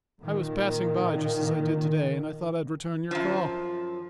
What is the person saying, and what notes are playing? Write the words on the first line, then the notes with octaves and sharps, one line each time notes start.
I was passing by, just as I did to-day, and I thought I'd return your call.
A#2 D#3
F#2 F3